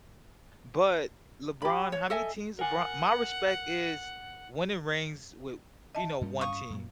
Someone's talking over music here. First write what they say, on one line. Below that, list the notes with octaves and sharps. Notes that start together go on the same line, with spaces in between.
But LeBron, how many teams LeBron my respect is winning rings with you know, one team.
G4 B5
C#5
A4 D#5 E5 G#5
A#4 F#5 G#5
D#5 E5 A5
G2 G3 C#4
F5 C#6 D#6
F#2 A#2